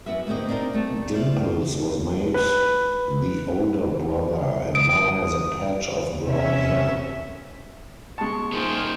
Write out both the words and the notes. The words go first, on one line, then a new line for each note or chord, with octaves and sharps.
Dimples was made the older brother and now has a patch of Brown Hair.
F#2 B3 F#4 B4 E5
D2 A#3 C4 B4 D#5
C4 D4 D#4 A#4 D5
G3 A3 A4
E4 F4 C5 D5
B4
D#6 D7
C3 C#4 E5
G#3 A5 C#6
A#3 D#4 F4 G#4 C5